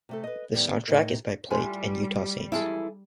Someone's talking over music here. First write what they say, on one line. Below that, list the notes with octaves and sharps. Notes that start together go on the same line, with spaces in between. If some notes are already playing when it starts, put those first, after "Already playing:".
The soundtrack is by Plague and Utah Saints.
C3 A3 A4
B4 D#5
F2 A2 D#3 G3 B3
A2 D#4 A#4
A2 G3 F4 G#5
F2 G#2 E3 E4 G#4 A4